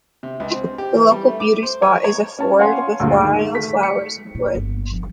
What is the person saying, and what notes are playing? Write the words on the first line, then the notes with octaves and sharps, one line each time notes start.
The local beauty spot is a ford with wild flowers and a wood.
C3
C#2
C4
G4
E3
G3
A3
D6
C5
C#5
C#5
C#4 A5
C#5 F5 F#5 G#5 C6
D2 G2 A#2 D3 G#3
G#2 D#3
A3 B6
C#7
A#2
G1
F3